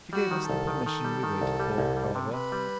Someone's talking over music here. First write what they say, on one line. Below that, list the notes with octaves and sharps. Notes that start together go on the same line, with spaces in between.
She gave us the permission we waited for, however.
G3 F#4
D#3
C2 A4
D#3
D#3
G3
D#3
C2
G3
C2
G3
C3
C3 B4
G3